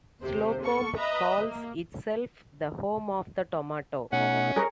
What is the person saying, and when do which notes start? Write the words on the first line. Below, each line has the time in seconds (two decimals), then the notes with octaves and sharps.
Slocomb calls itself the home of the tomato.
0.21 D#2 C3 C5
0.62 A#3 A4 C#6
0.97 B4 D#5 E5 A#5
1.45 A#3
4.12 B2 A3 C#4 D#4 F#5
4.56 G4 G#4 A#4 B4 C#5 D#5